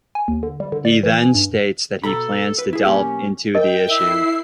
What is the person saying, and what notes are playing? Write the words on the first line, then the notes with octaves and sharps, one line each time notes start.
He then states that he plans to delve into the issue.
G#5
D#2
D3
G3
D3
D5
E3
G#5
G2
B2 A4 A#5 B5
B4
E4 G#4
B1 A#3 C#4 G4
A#4 D#5 G5
E4 E5 C7